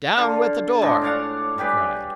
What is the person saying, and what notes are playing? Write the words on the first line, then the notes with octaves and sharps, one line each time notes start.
"Down with the door!" he cried.
D3 F4
A2 D3 G#3 D4
D4 C#5 F5 F#5
G3 G4 G#4 B4